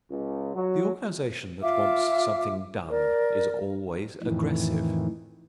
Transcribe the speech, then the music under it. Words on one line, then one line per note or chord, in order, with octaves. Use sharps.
The organization that wants something done is always aggressive.
C#2
F#3
F4 E5 F5 D6
A#4 D5
F2 A2 D#3 E3